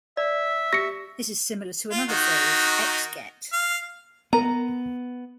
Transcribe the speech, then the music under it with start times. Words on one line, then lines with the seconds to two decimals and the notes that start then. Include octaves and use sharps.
This is similar to another phrase, X get!
0.17 D5 E5
0.73 G4 A#6 C#7
1.92 F4
2.09 D#3 D#4 F#4
3.52 F5
4.33 B3 A#4 A#5 D#7